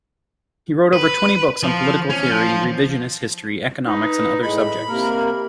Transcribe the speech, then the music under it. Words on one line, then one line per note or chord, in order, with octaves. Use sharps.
He wrote over twenty books on political theory, revisionist history, economics, and other subjects.
B4
F3
C#4
F3
D#4 B4
A2 G#3 B5
A2
C3 A#3 A#4